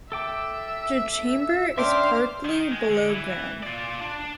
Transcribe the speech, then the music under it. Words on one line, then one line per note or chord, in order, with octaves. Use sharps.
The chamber is partly below ground.
A4 E5 G5 D6
C#4 D4 C5 E5 G5 C6 D6 F6
D#3
G#3
D3
E3
F4 D5
D4